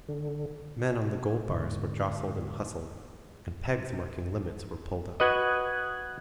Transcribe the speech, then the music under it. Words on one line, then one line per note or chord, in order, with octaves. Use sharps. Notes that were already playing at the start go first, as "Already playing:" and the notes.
Men on the gold-bars were jostled and hustled, and pegs marking limits were pulled up.
D3
G#2 D3
F#4 B4 D#5 D#6 F#6 G#6